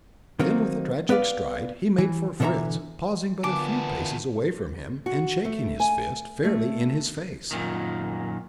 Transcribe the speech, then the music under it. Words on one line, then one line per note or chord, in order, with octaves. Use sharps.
Then, with a tragic stride, he made for Fritz, pausing but a few paces away from him, and shaking his fist fairly in his face.
D#3 F#3 A#3 C4 D#4
B3 B4 D5 F5
E3
B2 D3 E3 C#5 E5 A#5
E2 A#2 D3 B3 G#5 A5 D6
F#4
A3
G#5
A3
F#2 A#2 D#3